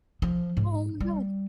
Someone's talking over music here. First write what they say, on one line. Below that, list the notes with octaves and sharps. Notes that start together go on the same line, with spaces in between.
Oh, my god.
F3
G#2
G3